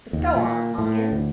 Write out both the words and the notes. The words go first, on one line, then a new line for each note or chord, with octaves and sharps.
"But go on, Hawkins."
D#2
A#2
A2
D2